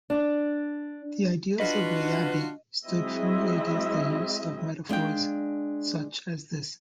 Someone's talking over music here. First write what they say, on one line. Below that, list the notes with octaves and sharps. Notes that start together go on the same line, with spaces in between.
The ideals of miyabi stood firmly against the use of metaphors such as this.
D4
D4 F4 F#4 B4 D#5
F#3 G#3 C4 E4 D#5 E5
G#3 D4 F5 G5